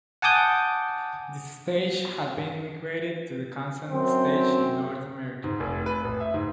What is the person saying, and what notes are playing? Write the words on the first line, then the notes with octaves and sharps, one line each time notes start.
This stage had been equated to the Kansan Stage in North America.
F#5 G#5 A5 D6 D#6 G6
F#2 C4
G#2
F1
B4
A1
E5
G#2